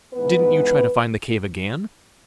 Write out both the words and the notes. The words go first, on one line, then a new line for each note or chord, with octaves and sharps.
"Didn't you try to find the cave again?"
G#2 E3 B3 B4